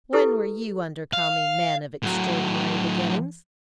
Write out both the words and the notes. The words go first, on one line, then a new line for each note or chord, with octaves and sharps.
'When were you under Kami, man of extraordinary beginnings?'
E4 G4 A4 B4
F5
A2 F#3